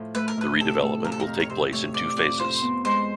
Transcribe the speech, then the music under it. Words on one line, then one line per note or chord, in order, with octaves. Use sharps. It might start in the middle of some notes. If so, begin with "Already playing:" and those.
The redevelopment will take place in two phases.
Already playing: A2 F3
A3 B4
A#4
A2 B4
C3 A4
A3
F3 A#4
A4
A#4
F2
C#5
C3 C5
A3 C#5
F3 D5
F2 D5
F3 C5
B3
G#3 C5